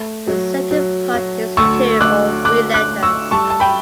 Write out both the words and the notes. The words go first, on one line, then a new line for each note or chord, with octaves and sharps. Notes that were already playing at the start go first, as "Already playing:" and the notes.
The second part is two or three letters.
Already playing: A3
F#3
F#3
F#3
D2 C#6 E6
D2 D6 F#6
D2 D6 F#6
D6 F#6
A3
C#6 E6
G3 A5 C#6
A5
G5 B5